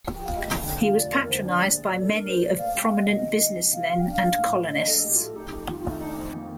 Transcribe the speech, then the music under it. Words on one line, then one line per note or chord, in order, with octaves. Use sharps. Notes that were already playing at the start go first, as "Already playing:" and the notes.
He was patronised by many of prominent businessmen and colonists.
F3 G5
F5
F1
D#5
D#2
D3 G5
F3 F5
F1 D5
D#2 A#4
D3 C5
D4 D5
A#1 D5
A#2
A3
A4
D4
A#4
A#1 C5
A#2 D5
A3 F5
C2 G5
F5
C2
D#5
C3
D#3
C2
C2
C3 F5
D#3 F5
G5
D4 F5
A#1
A2
A3
D4 D#5
A#1 A4
A2 G4
F4
A3 A4
D#4 G4
F2
D#3 F4
F4
A3
D#4
D4 D#4
F2 C4
D#3 A#3